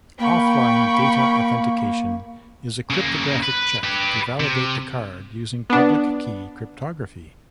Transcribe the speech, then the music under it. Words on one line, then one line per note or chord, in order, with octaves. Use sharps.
Offline data authentication is a cryptographic check to validate the card using public-key cryptography.
A#3 G5 B5 C#6
C#3 A#3
B4
G4 B4
C3
B3 D4